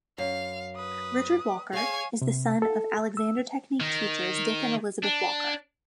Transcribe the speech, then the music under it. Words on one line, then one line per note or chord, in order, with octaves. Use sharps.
Richard Walker is the son of Alexander Technique teachers Dick and Elisabeth Walker.
F#2 F5
B4 D#6
G#4 C#5 F5 G#5
C3
A4
E6
D#3
D4